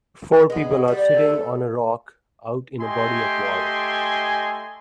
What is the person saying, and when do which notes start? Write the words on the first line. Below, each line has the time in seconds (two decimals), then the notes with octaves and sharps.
Four people are sitting on a rock out in a body of water.
0.50 G#3 B3
0.88 G3 D5
1.14 A3 A4
2.80 A3 G4 D#5 G#5 C6